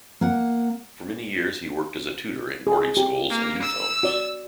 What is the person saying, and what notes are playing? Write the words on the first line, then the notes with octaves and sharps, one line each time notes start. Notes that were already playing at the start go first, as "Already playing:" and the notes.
For many years he worked as a tutor in boarding schools and youth homes.
A#3 F#5
G#4
G4
A#3
E6
F#4 D5